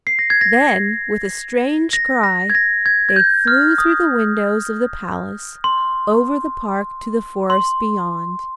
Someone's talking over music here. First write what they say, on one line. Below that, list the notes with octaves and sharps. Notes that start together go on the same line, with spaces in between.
Then, with a strange cry, they flew through the windows of the palace, over the park, to the forest beyond.
C7
A#6
G#6
A#6
A#6
A#6
G#6
A#6
G#6
G#6
G6
F6
D#6
C6
C6